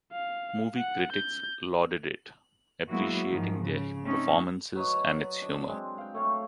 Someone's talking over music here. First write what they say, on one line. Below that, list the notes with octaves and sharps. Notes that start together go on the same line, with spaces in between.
Movie critics lauded it, appreciating their performances and its humor.
F5
F#5
G6
F#3 G#3 A#3 B3 E4 F#4
G#2 D#3 F3
C#3
A3 C4 C#4 D#4
F#3 B4 C#5 D#5
D4
G#3 C4
F5 G5
A3 C#5 F5